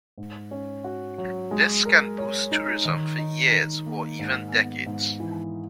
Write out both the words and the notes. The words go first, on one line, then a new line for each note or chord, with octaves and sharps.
This can boost tourism for years or even decades.
G#2
C#4
F#4
F#3
G#3
A#4
C#5
D#4
D#3
D#4
D#3
A#3
G#2
B3
G#2
E3